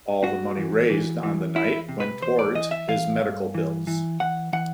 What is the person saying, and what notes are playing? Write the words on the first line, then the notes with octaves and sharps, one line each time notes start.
All the money raised on the night went towards his medical bills.
G2 F#4
E3
E3
E3
E2 E4
C3
B4
E2 C5
D5
E3 D#5
E5
E3 F5
G2
E3
E3
E3 F#5
E3 F#5